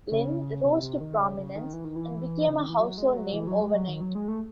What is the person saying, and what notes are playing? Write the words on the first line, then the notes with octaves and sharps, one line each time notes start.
Lin rose to prominence and became a household name overnight.
C#3
C3
C3
D#3
C#3
C#3
D#3
E3
D#3
E3
C#3
D#3
E3
F#3
G#3
F#3
E3
F#3
G#3
F#3
D#3
F#3
G#3
A3